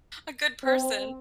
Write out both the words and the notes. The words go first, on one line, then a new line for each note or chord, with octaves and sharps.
A good person.
C4